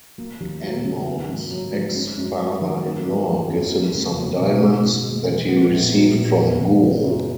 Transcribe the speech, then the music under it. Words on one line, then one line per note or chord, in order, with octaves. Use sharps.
Anmol's ex-father-in-law gives him some diamonds that he received from Guru.
A#3
D#2
F#3
C#3
A#3
G#1
F#3
G#2
C#4
F#2
F#3
D#3
A#3
G#1
E3
F#2
A#3
C#2
F#3
B2
F#2
F#2
G#3
E3
B3
A#1
F#3
A#2
B3
F#1
E3
F#2